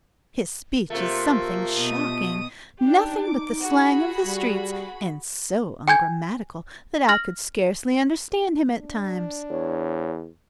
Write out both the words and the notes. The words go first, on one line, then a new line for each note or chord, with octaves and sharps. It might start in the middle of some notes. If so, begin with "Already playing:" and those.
His speech is something shocking; nothing but the slang of the streets, and so ungrammatical that I could scarcely understand him at times.
C3 A3 A#3 F4
B2 D#6
D4 D#4 G4
D6
F#4 G#4 B5
G3
G5 G#5 G6 G#6
F6 A#6 F#7
D4
E2 C#5